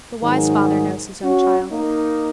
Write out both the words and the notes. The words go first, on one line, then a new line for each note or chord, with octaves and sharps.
The wise father knows his own child.
G#2 D#3 F#3 D#4 G#4
C#4 F#4
A#3 D#4